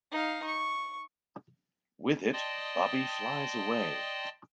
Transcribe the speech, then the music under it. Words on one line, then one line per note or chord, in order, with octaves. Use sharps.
With it, Bobby flies away.
D#4 F5
C#6
D5 D#5 G5 A5 C6 D#6